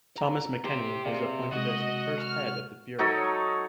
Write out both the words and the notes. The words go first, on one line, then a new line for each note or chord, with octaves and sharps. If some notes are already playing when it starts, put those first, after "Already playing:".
Thomas McKenney was appointed as the first head of the bureau.
A#5
G4 C5
C3 G#4 D5 F5
C3 G#3 F#4 D#5
F6
F#3 D#4 A4 C#5